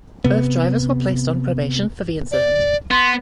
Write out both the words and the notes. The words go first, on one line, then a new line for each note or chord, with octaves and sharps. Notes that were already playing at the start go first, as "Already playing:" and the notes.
Both drivers were placed on probation for the incident.
C3 B3
D5
B3 C6